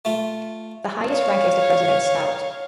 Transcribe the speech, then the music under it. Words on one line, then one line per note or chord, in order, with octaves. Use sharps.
The highest rank is the President's Scout.
A3 F4
C#5 F5